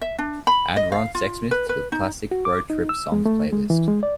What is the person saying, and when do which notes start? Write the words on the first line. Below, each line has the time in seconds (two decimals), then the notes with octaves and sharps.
Add ron sexsmith to the classic road trip songs playlist.
0.01 E5
0.18 D4
0.47 B5
0.76 D#5
0.92 F5
1.15 F4
1.51 B4
1.69 B4
1.92 D#4
2.31 F#4
2.45 D6
2.70 D#4
2.89 E6
3.12 G#3
3.26 A3
3.53 G#3
3.70 E3
3.88 G#3
4.03 D5